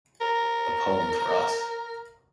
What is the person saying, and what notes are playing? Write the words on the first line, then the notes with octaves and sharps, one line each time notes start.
A poem for us.
A#4